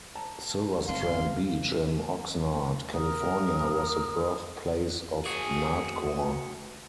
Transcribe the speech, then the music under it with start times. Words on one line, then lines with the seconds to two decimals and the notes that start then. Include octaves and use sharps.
Silverstrand Beach in Oxnard, California was the birthplace of Nardcore.
0.15 A5 A#5
0.88 G1 G3 C4 F5 C6
2.94 A#4 D#6
5.26 F#4 G#4